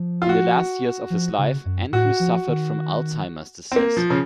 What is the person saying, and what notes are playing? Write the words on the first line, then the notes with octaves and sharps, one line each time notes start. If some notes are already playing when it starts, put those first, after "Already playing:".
In the last years of his life, Andrews suffered from Alzheimer's disease.
Already playing: F3
F4
F#4
F3
C#3
F#2
A2 F#4
F3
D#3
C4
A#3
F3
C#3